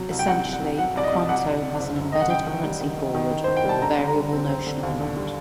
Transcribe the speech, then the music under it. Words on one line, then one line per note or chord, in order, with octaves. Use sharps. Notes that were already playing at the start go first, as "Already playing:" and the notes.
Essentially, a quanto has an embedded currency forward with a variable notional amount.
Already playing: C3 F#3
C2
G5
C2 F#5
C2
F#5
C2
F#3 F#5
C2 D5
D#5
C2
C2 F#5
C2
C3
F#1
F#2
D#3 D#5
F#5
F#2 G5
D#3
G3
D#3
D#3
D#3
D#3
C5
D#3
G5
G3 A5
D3 A#5
D3
A#5
G3
C4
C4
D3
D#2
D3
G3